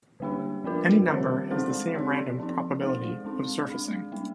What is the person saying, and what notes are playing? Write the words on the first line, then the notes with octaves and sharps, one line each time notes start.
Any number has the same random probability of surfacing.
D3 G3 A#3 D4 G4
F3 A#3 D4 F4 A#4
D#3 G3 C4 G4 C5
G#3 C4 D#4 G#4 C5
C4 D#4 G4 D5
F3 C4 D#4
G#3 D#4 G#4 C5
G#3 C4 D#4
G#3 D4 G#4
G3 A#3 D4